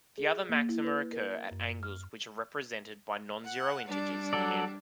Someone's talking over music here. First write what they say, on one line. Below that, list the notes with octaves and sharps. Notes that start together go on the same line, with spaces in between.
The other maxima occur at angles which are represented by non-zero integers "m".
G#4
A#3
E4
B4
A#4
F#2
F6
F#5
G3 D4
F#3 A4 D5